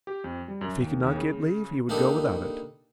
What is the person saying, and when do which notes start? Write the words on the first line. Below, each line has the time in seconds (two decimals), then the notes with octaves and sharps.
If he could not get leave he would go without it.
0.07 G4
0.24 F2
0.48 G3
0.61 F#2
0.81 D#2
1.03 D#2
1.16 C#3
1.89 A#3 D4 D#4 G4 A4 B4